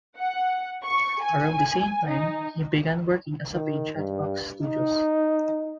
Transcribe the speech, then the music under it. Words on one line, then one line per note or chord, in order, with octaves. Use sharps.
Around the same time, he began working as a page at Fox Studios.
F#5
C#6
G#5
D#4
D#3
G2
D#4